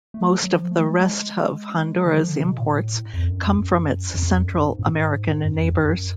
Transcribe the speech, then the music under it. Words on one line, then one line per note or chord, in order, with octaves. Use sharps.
Most of the rest of Honduras's imports come from its Central American neighbors.
A3
F#3
F3
A3
G#3
G#3
D3
F3
D3
B2
A2
F2
F#2
F2
F#2
F2
F2
F#2
F#2
G#2
A2
G#2
G#2
F#2
F2
F#2
F#2